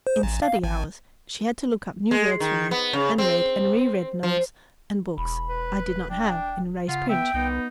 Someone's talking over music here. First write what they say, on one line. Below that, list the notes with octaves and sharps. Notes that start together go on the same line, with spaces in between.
In study hours she had to look up new words for me and read and reread notes and books I did not have in raised print.
C5
A1
F5
G#1
G#3
D#3
B3
C#3
C4
F3
E1 B5
B4
D4 G5
C#3 F4 F#5
B3 E5 G5
C2 B3 D#4